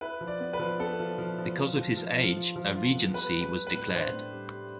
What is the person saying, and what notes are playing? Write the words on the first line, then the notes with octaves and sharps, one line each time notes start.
Because of his age, a regency was declared.
E4 B4
F3
D5
B3
B4
F3
B3 A4
F3
F3
F3
F3
F3
F3
F3
F4
F3
F4
B3
G3 B4
G3
B4
G3
B4
A2
D4 C5
A2
G3
G3